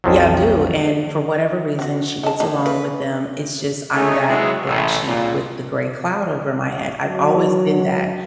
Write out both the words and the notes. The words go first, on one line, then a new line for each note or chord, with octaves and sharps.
yeah, I do, and for whatever reason, she gets along with them. It's just I'm that black sheep with the gray cloud over my head. I've always been that,
B1 F2 F3 F#3
C4 F#4
D#4 A5
A2 D#4
A3 B4
A3 C#4 D#4 G#4
E2 F#3 G#3 E4 B4
A1
C#2 A#2
F#3